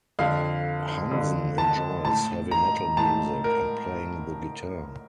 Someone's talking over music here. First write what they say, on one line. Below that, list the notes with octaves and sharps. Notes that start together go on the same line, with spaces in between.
Hansen enjoys heavy metal music and playing the guitar.
F2 D3 F5
F2 D3
A5
A2 A5
A#5
A2 A5
A#4